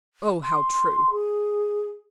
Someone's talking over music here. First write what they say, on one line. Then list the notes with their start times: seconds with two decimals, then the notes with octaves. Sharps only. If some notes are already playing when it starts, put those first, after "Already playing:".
Oh, how true!
0.43 C6
1.11 G#4